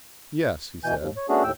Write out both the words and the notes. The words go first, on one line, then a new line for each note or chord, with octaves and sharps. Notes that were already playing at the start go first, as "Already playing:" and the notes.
"Yes," he said.
B2 E3 G#5 G6
D#2
C#5
A3 B3 C#4 D4 F#4 G#4
D#2 A2 G5 E6